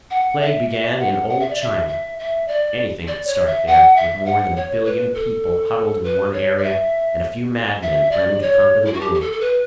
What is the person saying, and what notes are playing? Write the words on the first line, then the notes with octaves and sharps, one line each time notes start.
The plague began in old China; anything could start there, with more than a billion people huddled in one area and a few madmen planning to conquer the world.
F#5
E5
E5
F#5
F#5
E5
D5
E5
E5
E5
D5
D5
C#5
E5
F#5
E5
F#5
C#5
B4
A4
B4
C#5
D5
E5
E5
D5
C#5
E4
F#4
G4
G4
A4
A4
B4